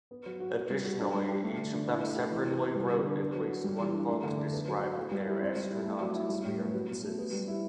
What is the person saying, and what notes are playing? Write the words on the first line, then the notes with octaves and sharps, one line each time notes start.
Additionally, each of them separately wrote at least one book describing their astronaut experiences.
B3
F#3
F#4
B3
G3
F#4
D4
G3
G4
A3
D3
D4
E4
A3
G4
E3
C3
B3
G3
D3
D4
B3
F#3
F#4
G3
E3
D4
A3
D3
D4
B3
F#3
F#4
B3
G3
E4
C4
G3
E4
A3
F#3
E4
G3
A2
B3
F#3
B2
A3
B3
G3
E4